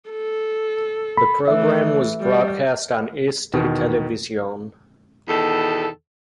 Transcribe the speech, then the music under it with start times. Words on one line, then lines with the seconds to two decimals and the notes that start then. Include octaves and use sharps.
The programme was broadcast on Eesti Televisioon.
0.10 A4
1.17 B5
1.48 E3 A3 E5
2.20 G3
3.54 E2 B2 D#3
5.28 E2 B2 D#3 A4